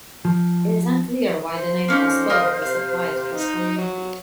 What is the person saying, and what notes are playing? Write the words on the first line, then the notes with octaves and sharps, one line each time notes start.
It is unclear why the name "Pascola" was applied to this community.
F3
C5
F2 A#3 C#4 D#4
F4 A#4 D#5
C3 F5
D#4
F#3